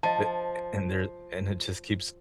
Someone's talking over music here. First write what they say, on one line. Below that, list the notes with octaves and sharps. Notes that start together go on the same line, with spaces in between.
Th a and there and it just keeps
F3 D#5 A5